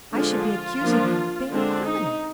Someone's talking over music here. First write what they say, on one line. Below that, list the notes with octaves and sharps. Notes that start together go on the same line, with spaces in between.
I should be accusing him of being a criminal.
D3 F3 G#3 D4 F4
F3 A#3 D4
D3 G#3 C4 D4
D#4